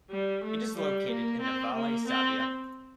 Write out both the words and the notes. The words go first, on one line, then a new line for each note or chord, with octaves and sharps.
It is located in the Valle Sabbia.
G3
A3
G3
A#3
C4
A#3
C4